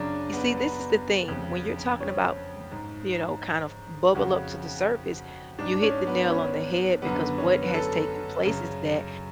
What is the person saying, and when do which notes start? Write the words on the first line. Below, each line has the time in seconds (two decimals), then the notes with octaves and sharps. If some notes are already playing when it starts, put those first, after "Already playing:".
You see, this is the thing, when you're talking about, m you know, kind of bubble up to the surface you hit the nail on the head because what has taken place is that
Already playing: F#2 C#3 D4
0.33 B3
0.57 B3
1.28 F2 C#3
2.00 C#4
2.71 G#2
4.15 F2 C#3 F#4
5.59 G#2 D4
5.73 D4
5.82 C#4
6.07 B3
6.30 C#4
7.02 F#2 D3 B3
7.38 C#4
7.63 B4
7.74 A4
8.45 F#2 C#3